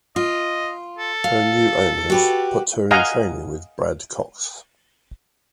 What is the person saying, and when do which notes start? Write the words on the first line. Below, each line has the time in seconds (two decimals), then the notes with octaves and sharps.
Her new owners put her into training with Brad Cox.
0.16 F4 D#5
0.98 A4
1.24 F5
2.10 F#4 G4 B4
2.91 D#5 F5 F#5 G#5 A#5